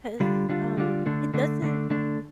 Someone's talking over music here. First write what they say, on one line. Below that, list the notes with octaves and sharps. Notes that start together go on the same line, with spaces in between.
'cause, um, it doesn't
D3 G3 D4 F4
D3 G3 D4 F4
D3 G3 D4 F4
D3 A3 D4
D3 A3 D4
D3 A3 D4
D3 A3 D4